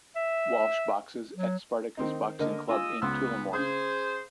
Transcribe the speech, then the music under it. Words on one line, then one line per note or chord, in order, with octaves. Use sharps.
Walsh boxes at Spartacus Boxing Club in Tullamore.
E5
F#3
D#3 C4 D#4
D3 A#4 D#5
F4 D#5 G#5 D#6 E6
C#2 B3 C6 E6
C#3 G#4 C5 D#6